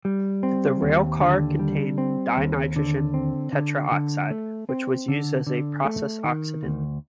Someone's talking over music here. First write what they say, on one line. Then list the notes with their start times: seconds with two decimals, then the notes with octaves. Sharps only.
The railcar contained dinitrogen tetroxide which was used as a process oxidant.
0.05 G3
0.43 C4
0.82 D#2
1.21 D3
1.59 G3
1.98 C4
2.37 D#2
2.76 D3
3.14 C4
3.53 D3
3.91 D3
4.30 A3
4.69 C4
5.08 D3
5.47 D3
5.85 A3
6.24 D#3
6.63 D2